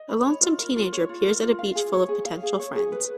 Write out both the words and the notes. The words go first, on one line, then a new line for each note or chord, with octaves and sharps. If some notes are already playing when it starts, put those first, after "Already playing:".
A lonesome teenager peers at a beach full of potential friends.
Already playing: D#5
B5
C#5
F4
A#4
F4
C#5
F4
A#4
F4
F5
G#4
C#5
G#4
F5
G#4
C#5
G#4
B4